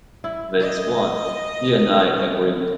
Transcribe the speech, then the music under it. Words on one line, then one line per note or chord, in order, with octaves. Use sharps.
That's what he and I agreed.
E4
D#5
C#4